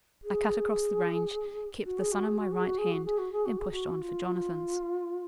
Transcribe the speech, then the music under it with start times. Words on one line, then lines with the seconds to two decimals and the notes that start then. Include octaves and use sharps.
I cut across the range, kept the sun on my right hand, and pushed on for Jonathan's.
0.23 G#4
1.85 F#4
1.99 G#4
2.12 F#4
2.25 G#4
2.38 F#4
2.52 G#4
2.65 F#4
2.78 G#4
2.91 F#4
3.05 G#4
3.18 F#4
3.32 G#4
3.45 F#4
3.59 G#4
3.72 F#4
4.01 F4